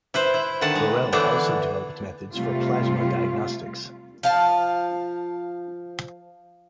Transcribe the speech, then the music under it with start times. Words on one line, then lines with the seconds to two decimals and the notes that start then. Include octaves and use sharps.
Burrell also developed methods for plasma diagnostics.
0.14 E4 B4 C5
0.34 E4
0.61 D3 D#3 B4 F#5 A5
0.75 G#3
1.12 D3 E3 A3 B3 D4 E4
2.34 C3 G3 A3 F4
4.23 F3 F5 A5